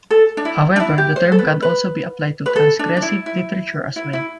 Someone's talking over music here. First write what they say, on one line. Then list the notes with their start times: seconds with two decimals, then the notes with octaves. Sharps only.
However, the term can also be applied to transgressive literature as well.
0.11 A4
0.37 D4
0.45 E4
0.76 D4
0.80 E4
0.98 G4
1.16 C5
1.32 A4
1.39 B4
1.62 B4
2.46 B4
2.56 A4
2.79 D4
2.97 D4
3.02 E4
3.26 E4
3.96 E4
4.13 E4